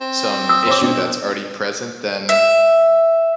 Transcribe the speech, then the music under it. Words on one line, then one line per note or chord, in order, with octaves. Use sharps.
some issue that's already present, then
C4
D#6 E6
C5 C#5 D6
B2 D4
E5